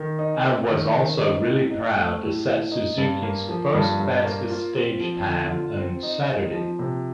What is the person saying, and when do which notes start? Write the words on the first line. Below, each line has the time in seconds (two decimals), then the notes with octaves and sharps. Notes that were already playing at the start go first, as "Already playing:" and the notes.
I was also really proud to set Suzuki's first fastest stage time on Saturday.
Already playing: D#3
0.19 D#4
0.44 A#3
0.70 D#3
0.94 D#3
1.20 D#4
1.46 A2
1.70 D#4
1.96 A3
2.22 A2
2.47 A2
2.72 D#4
2.98 G2
3.23 A#3
3.49 F3
3.74 G2
4.00 G2
4.24 A#3
4.50 F4
4.75 C4
5.00 F3
5.26 D3
5.52 F4
5.77 C4
6.03 D#4
6.27 C4
6.53 F3
6.79 C3